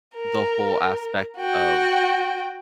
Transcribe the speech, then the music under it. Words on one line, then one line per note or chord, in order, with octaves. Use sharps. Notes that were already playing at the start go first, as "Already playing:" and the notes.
the whole aspect of
A#4
F#4 G5